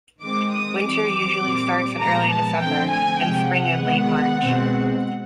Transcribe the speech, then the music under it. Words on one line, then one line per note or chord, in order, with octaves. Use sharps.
Winter usually starts in early December, and spring in late March.
D#3 G#3 C4 D6
D#6
E3 G3 C4 D6
A#2 G3 C4
A#2 F3 G#3 B3 A#5
A5
D3 F3 A3 C4 G5
G#5
C3 F3 G#3 G5
F#5
D#3 G#3 B3
B2 G#3 C4